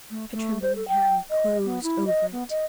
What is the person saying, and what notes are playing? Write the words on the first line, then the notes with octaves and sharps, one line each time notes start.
Her trembling hand closed over it.
A3
A3
C5
A4
G5
D#5
B3
E4
D#5
B3
D#5